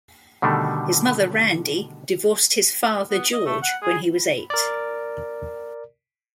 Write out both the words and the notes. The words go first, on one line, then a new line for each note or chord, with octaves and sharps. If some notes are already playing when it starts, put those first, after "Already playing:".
His mother, Randy, divorced his father, George, when he was eight.
B2 D3 D#3 G3 A3
B3
D#5
A3
F#5
G#4
A#4 D5